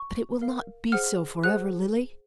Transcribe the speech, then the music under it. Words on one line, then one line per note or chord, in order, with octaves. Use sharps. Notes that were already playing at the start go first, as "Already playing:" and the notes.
"But it will not be so for ever, Lily."
Already playing: C#6
A#4 F5
G#4 C5 F#5 F6
G#4 C5 F#5 F#6